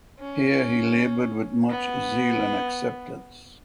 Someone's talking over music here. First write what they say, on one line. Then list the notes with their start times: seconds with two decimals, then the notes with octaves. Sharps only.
Here he laboured with much zeal and acceptance.
0.19 C#4
1.70 B3